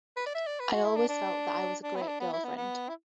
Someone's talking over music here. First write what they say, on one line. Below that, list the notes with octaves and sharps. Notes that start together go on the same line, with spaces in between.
I always felt that I was a great girlfriend.
B4
D5
E5
D5
B4
F#4
E4
D4
D4
D4
B3
E4
D4
B3
E4
B3
B3
E4